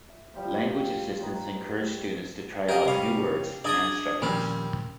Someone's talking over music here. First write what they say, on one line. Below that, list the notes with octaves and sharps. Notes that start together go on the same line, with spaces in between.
Language assistants encourage students to try out new words and structures.
E5
F3 G3 G4 C5
D#4 B4 C#5 C6
G4 A#4 D#5
C3 G3 C#4 F5
D4 G#4 D5 D#5 D#6 G#6
D#2 A#2 F3 G3 C4 C#4